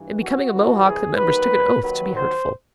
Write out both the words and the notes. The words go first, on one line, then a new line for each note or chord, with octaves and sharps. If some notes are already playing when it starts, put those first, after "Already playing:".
In becoming a Mohawk the members took an oath to be hurtful.
Already playing: G2 E3
F#4
C2 C3 E3
G#4
D#2 D#3 F#3 B4
D#2 D#3 F#3 B4
C5